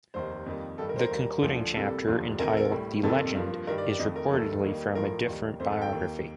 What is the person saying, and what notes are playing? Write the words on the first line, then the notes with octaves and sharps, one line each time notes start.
The concluding chapter, entitled "The Legend", is reportedly from a different biography.
F1 D#2 D#3 C5
F2 D#3 G3 A#3
G2 D#3 G3 A4
A#4
C5
A#4
D#2 D#3 G3 A#3
D2 D3 F3 A3
C2 C3 G3 A#3 A4
F1 D#2 D3 F3
D2 C3 D#3 A#4
A4
A#4
A#1 A2 G3
F1 F2 C3 D#3 A#3 A4
G2 F3 A#3
G2 D#3 G3 A#4
D5
D5
F2 D#3 A3 D#5
A#4
F1 D#2 D#3 A3 A4
D#2 D#3 G3 A#3
A#1 A2 F3 A#4
D#2 D#3 G3
F2 D#3 A3 C5
A4
G5
D#2 D#3 A#3